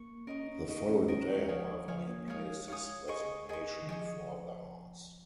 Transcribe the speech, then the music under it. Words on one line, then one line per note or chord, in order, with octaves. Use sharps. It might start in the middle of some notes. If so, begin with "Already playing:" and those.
The following day, however, he placed his resignation before the House.
Already playing: A#3 C#6
C#4 A#4 D#5 C#6
C#4
D#4 A#4 D#5 C#6
C#4
G#3 A#4 D#5 C#6
G#3
F3 C#5 F5 G#5 D#6
F3 C#5 F5 G#5 D#6
A#3
G#3 C#5 F5 G#5 D#6
C#5 F5 G#5 D#6
G#4 D#5 C#6
G#4 D#5 C#6
D#3
F3 G#4 D#5 C#6